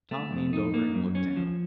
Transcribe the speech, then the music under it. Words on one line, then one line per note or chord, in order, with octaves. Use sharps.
Tom leaned over and looked down.
A3
F2
D#4
A#3
F#2
C#4
F3